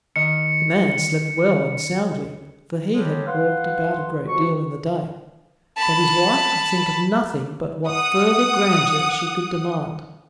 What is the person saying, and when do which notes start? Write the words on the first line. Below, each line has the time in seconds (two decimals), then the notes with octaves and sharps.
The man slept well and soundly, for he had walked about a great deal in the day; but his wife could think of nothing but what further grandeur she could demand.
0.16 D#3 C#7
2.94 A2 D3 G3 G#3
3.26 B4 F5 F#5 C6
4.28 F2 F#4 C#6
5.77 A5 B5
7.86 F#5 D#6